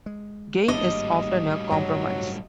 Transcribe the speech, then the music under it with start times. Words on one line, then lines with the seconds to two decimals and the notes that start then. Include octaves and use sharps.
Gain is often a compromise.
0.06 G#3
0.68 G#1 A2 G3 A#3 D4 D#5
1.72 G2 A#2 C#3 F#3